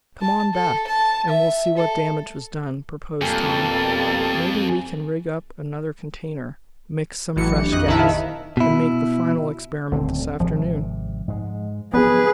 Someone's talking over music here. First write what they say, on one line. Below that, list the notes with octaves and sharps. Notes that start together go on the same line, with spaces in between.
"Come on back, and we'll see what damage was done," proposed Tom. "Maybe we can rig up another container, mix some fresh gas, and make the final experiment this afternoon."
A5
A4
A5
E5
A4
F2 B2 G3 A#3 A4 G#5
A1 E3 F#3 F#4 C#7
D4 G4
F2 D#5 F#6
A#1 D#3 E4 D#5 E5 A5
E5 F5
B2 E4
D#1 D2 D3 C4
G#1 C3 F3
G#2 G#3
F3 F#3 B3 G#4 B4